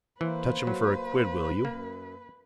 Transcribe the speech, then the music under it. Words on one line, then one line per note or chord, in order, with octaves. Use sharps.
Touch him for a quid, will you?
E3 A#3 B4 C5
F#3
F#2 A#3